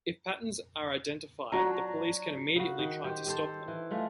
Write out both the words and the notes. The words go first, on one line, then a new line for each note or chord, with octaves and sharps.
If patterns are identified the police can immediately try to stop them.
F#3 D4 F4 F#4 A#5
C#3 F#4
D#3
G4 C5
G4 A4 C5
E3
G#3 A3 F4